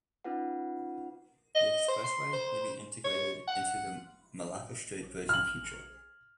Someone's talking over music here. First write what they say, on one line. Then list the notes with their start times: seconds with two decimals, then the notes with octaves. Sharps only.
The expressway may be integrated into the Malacca Strait Bridge in the future.
0.24 C#4 D#4 F4 B4 F#5
1.55 D#5
1.88 C5
2.04 C6
2.33 C5
3.04 C#5
3.48 F#5
5.29 F6 F#7